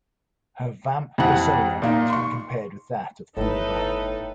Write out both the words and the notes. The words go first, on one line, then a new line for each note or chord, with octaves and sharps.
Her vamp persona has been compared with that of Theda Bara.
F2 C3 E3 F#5
A#2 A#3 D#4
C6 C#6
G1 A2 D#4 A4 B4